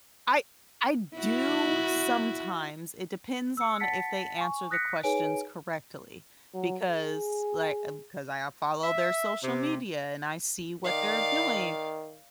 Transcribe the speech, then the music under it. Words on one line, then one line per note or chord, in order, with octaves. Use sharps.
I I do sometimes, it depends on if they answer the questions correctly, because, like, I've 'cause I I follow their social media and I see what they're doing.
E4 F#4
E6 C#7
F#5 A5 A6 B6 C#7
G#5 C#6
D#6 F#6 A#6 B6 C#7
D#4 G#4 B4 C#5 G#5 D7
F#3
G#4
E5
C3
D#3 D5 F5